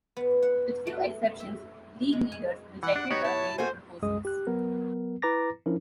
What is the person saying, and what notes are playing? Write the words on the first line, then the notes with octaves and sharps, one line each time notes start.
With few exceptions League leaders rejected the Nehru proposals.
B3
F#5
A3
E5
G#3
G#5
E3 F#5
D4
B3 D#4 F#4 G4 C#5 F#5
E4 A5
A3 A#3 F#4 C5 G#5
C2 F#2 G#3 D#6
G4 F#6
F#3 B3 A#4
E4 B4 A#5 D6 A6 A#6
F3 C#4 D4 E4 A#4